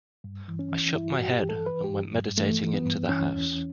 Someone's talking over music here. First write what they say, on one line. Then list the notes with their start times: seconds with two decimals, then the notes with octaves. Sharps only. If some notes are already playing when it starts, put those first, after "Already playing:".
I shook my head, and went meditating into the house.
0.24 G2
0.48 E3
0.59 C#4
0.72 E3
0.95 G2 E4
1.13 F#4
1.19 G2
1.31 G4
1.43 E3
1.49 A4
1.66 E3 B4
1.84 G4
1.90 G2
2.14 G2
2.38 E3 A3
2.62 E3
2.74 B3
2.85 G2
3.09 E3 C#4
3.34 E2